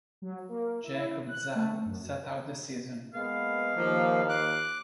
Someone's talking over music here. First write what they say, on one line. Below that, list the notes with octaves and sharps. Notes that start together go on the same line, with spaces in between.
Jacob Zab sat out the season.
F#3
A#3
E4
F#6
A3
F#2
G#3 A#3 B3 F5
D#2 F3 A#3
D6 F#6